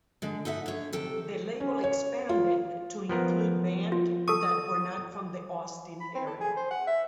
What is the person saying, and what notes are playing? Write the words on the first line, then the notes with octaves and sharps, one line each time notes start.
The label expanded to include band that were not from the Austin area.
D3 G#3
D#4 A4 E5 F#5
D3 C#5
C3 A4 G5
C#4
C#5
F4
F3 B3 A#4
F4
A4 C#6 D#6
B5
C4
A4
G#4
C5
F#5
E5